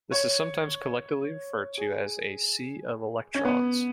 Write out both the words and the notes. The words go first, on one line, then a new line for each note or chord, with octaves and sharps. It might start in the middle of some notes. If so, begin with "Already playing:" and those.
This is sometimes collectively referred to as a "sea of electrons".
C#5
G#4
C#4
B3